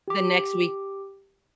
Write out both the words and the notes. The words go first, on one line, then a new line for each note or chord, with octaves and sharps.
The next week
G4 D6